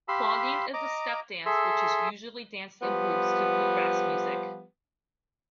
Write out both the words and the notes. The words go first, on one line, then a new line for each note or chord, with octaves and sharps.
Clogging is a step dance which is usually danced in groups to bluegrass music.
G4 F5 B5 C6 E6
D#5 A#5 D6
G#4 A4 E5 C6 E6
F3 G3 B3